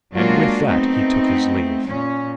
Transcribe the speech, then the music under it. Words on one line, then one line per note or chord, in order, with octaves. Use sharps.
And with that he took his leave.
F#3 G#3 A#3 D4 F4 F#4
A3 B3 C4 D#4
A#2 C#4